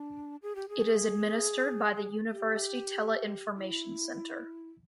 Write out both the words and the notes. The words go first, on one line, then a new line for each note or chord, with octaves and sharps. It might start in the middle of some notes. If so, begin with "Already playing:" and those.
It is administered by the University Teleinformation Center.
Already playing: D4
G#4
G4
G#4
G4
E4